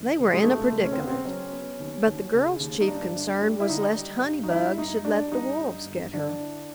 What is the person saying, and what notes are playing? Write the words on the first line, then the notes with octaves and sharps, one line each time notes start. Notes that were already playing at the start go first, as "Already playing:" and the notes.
They were in a predicament; but the girl's chief concern was lest "Honey-bug" should let the wolves get her.
Already playing: E1 D#2
C#3
G#3
E1 A3
C#3
C#4
C4
C#3 B3
C4
F#3 C#4
B3
D#2
D#2
C#3
D#2
D#4
G2 D4
G1
G3
E4
D3 D#4
G3
G2
D#4
G1 E4
G2 D#4
G3 D4
G2 D#4
G2
G1
D3 D4
E4